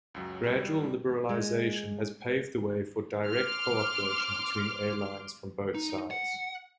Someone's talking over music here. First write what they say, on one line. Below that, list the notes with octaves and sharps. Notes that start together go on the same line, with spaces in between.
Gradual liberalization has paved the way for direct cooperation between airlines from both sides.
C#2 F#2 F#3
G3
G#3
C6 D6 F6
D#4
F#5